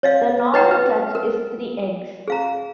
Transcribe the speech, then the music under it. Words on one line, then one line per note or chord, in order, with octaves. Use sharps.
The normal clutch is three eggs.
C#5 D#5 F5
B4 C#5 D#5 F#5 G5 A#5
B4
A#4
G#4 F5 A#5